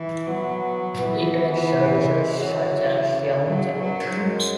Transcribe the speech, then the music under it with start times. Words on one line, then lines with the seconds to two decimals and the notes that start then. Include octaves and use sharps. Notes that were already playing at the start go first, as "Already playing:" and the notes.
Internet services such as YahooChat!
Already playing: E3
0.27 F#3 B3
0.98 E3 B3
1.95 F#3
2.05 G#3
2.40 E3 F#3
3.11 C#3
3.46 F#3
3.74 C#3
3.81 B2 F#3
3.93 F#2
4.05 G#2
4.17 F#2 G#3